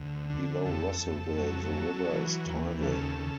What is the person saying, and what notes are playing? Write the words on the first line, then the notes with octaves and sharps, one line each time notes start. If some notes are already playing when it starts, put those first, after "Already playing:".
Below Russellville the river is tidal.
Already playing: D2
D3
F2 A4
F2
F#3
F#3
E3
D#2
C#3 A4
C#3